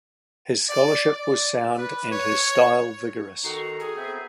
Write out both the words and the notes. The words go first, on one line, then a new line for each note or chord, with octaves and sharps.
His scholarship was sound and his style vigorous.
D5
D5
B4
C#5
D#3 D#4 F#4 A4 A#5 C7
G#4
B3 C4 E5 G6